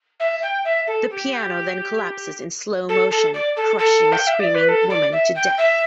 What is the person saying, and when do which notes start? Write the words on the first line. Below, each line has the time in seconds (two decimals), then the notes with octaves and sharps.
The piano then collapses in slow motion, crushing a screaming woman to death.
0.20 E5
0.43 G5
0.65 E5
0.87 A4
1.10 G4
2.89 A4
3.11 A4
3.34 D5
3.57 A4
3.79 A4
4.13 G5
4.27 E5
4.40 D5
4.55 B4
4.69 A4
4.90 D5
5.12 E5
5.35 G5
5.58 E5